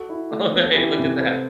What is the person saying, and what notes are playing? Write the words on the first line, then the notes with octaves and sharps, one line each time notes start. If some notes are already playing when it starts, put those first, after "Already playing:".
Oh, hey, look at that.
Already playing: F#4 A4
E4
A3
B3 B4
A4
E3 G4 B4
C3
A4 B4 C5